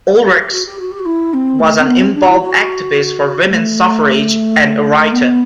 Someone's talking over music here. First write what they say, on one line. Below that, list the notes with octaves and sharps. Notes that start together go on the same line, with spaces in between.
Oelrichs was an involved activist for women's suffrage and a writer.
F#4
G4
F#4
G4
F#4
G4
F#4
E4
C4
A3
C4
B3
C4
D4
E4
F#4
A3
B3